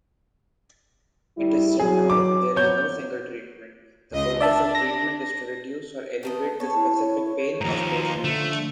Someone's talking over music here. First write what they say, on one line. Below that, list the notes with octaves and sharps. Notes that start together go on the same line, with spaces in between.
It is syndrome, there is no single treatment. The focus of treatment is to reduce or alleviate the specific pain of patients.
D2 G3 E4
F#3 G#4
D6
F3 F#3 B3 C#5 G6
C#2 D#5
D4 D5 E5 A5
A#6
D#3 A3 B4 D#5
B3 C#5 A5
E4
D#2 G#2 F3 A#5
D3 A3